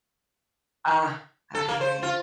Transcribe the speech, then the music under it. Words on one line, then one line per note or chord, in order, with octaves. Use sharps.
Ah, I hear you.
A4
A#3
C5
F4